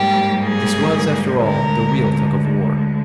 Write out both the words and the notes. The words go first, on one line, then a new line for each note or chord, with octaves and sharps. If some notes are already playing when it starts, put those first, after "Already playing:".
This was, after all, the real tug of war.
Already playing: G#2 G3 A#3 G4
G#4
D2 D3 G#3 A#4